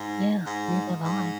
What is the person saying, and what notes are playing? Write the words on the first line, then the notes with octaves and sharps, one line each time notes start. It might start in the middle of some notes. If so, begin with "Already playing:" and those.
Yeah, neither have I.
Already playing: G#2
G#2
G#2